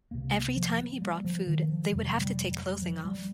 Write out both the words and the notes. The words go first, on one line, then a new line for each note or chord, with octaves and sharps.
Every time he brought food, they would have to take clothing off.
C2 C3 A#3
A#3
F3
A#3
G3
F3
D#3
F3
F1 F2 C3 G3
G3
G3
F3
G3